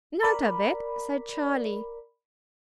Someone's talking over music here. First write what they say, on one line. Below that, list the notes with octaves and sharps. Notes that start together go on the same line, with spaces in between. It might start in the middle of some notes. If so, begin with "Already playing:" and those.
"Not a bit," said Charlie.
A#4 D5 B5